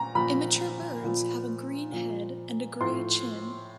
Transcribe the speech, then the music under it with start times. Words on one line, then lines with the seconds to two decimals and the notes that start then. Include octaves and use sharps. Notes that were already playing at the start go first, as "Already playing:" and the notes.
Immature birds have a green head and a grey chin.
Already playing: A#2 A#5
0.15 A#2 F3 B5
1.04 A#2 F3
1.92 A#2 F3
2.80 A2 F3 C6